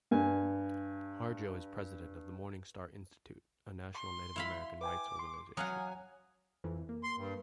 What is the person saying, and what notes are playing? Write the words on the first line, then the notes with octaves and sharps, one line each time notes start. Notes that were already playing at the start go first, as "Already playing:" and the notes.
Harjo is President of the Morning Star Institute, a national Native American rights organization.
G2 G#5
C6
E4 F5 B5
B4 G5 G#5 D6
C6
F#3 F5 F#5 G#5 D#6 F6
F2 E3
A#3
C6
G2